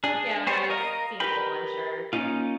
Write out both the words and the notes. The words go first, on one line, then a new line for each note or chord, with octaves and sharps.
yeah, when I was single, I'm sure.
D4 G#4
B3 C5 C#5
A#4 D#5 F5 A#5
G4 A#4 B4 G5 B5
A#3 C4 C#4 D#4 F4